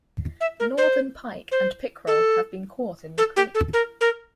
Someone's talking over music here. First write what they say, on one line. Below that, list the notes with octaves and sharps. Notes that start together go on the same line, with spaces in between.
Northern pike and pickerel have been caught in the creek.
E5
A#4
C5
C5
A4
A4
G4
A4
A#4
A#4